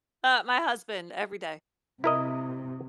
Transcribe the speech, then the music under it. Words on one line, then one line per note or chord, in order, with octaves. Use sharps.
Uh, my husband, every day,
C3 E4 A#4 D#5